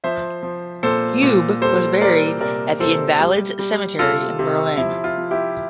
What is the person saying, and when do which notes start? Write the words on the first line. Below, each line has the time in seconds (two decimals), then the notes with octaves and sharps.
Hube was buried at the Invalid's Cemetery in Berlin.
0.04 F3 C5 E5
0.43 F3
0.83 A#2 A4 C5
1.23 A#2
1.61 G3 A4 C5
2.01 G3 A#4 D5
2.40 C3 A#4 D5
2.80 C3 A4 C5
3.20 G3
3.59 G3
3.99 C3 F4 A4
4.39 C3
4.77 F3 E4
5.04 F4
5.18 F3
5.31 E4 G4